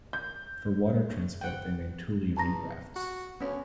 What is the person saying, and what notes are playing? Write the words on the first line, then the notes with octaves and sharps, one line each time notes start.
For water transport, they made tule reed rafts.
G6
F#5 G5
E2 A5 A#5 A#6
F#4
D2 B3 C#4